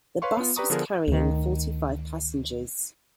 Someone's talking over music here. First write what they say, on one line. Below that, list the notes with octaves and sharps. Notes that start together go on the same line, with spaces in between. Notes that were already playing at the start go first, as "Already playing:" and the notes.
The bus was carrying forty-five passengers.
B4 C#5 F5 C6 C#6
B3 F4
G4 B4 D5 A#5 C#6 D#6
D3 F3 B3 D4 G#4 A#4
D2 D#3